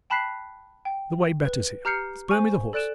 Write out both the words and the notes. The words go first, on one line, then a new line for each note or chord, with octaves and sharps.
The way betters here; spur me the horse.
G5 A5 B5 F#6 B6 C7
G5
B4
G4 A#5 F6 G6 C7 C#7
C5 G#5 C#6
A4 D5 F#6 D7 E7